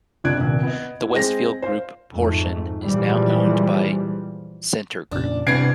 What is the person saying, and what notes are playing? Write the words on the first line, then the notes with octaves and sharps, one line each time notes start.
The Westfield Group portion is now owned by Scentre Group.
F#1 C2 D4 F#6 G#6 D7
D#1 C2
B3 D#5
E4
G#3 C4 A#6
C5 F5
F2 G#2 A3
A#2 E3 F3 G3 G#3
F2 A#2 C#3 D4
G2 C3 E3 B3 D4 G#6 C7 D7